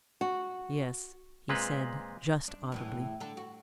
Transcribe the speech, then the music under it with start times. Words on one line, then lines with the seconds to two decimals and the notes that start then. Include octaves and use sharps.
"Yes," he said, just audibly.
0.21 F#4
1.49 A#2 G#3 C4 B4
2.48 D4
2.72 E2 A2 E3
3.20 D3 A4
3.37 F#4